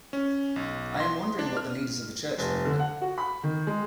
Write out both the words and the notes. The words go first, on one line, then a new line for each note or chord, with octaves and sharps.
I am wondering what the leaders of the Church think of it.
C#4
B1
C6
D4
F6
F1
D3
F#5
F#4
B5
D#3
G#3